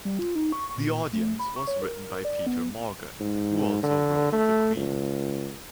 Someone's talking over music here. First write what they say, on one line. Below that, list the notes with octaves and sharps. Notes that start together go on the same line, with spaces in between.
"The Audience" was written by Peter Morgan, who also wrote "The Queen".
G3
F4
D#4
C#6
A#2
A3
B5
C#6
C#5
A#4
D5
B3
G#2
D3
A3
C#2